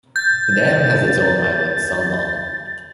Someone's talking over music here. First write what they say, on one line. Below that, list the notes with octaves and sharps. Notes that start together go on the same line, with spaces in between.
The dam has its own island some long.
G6 A6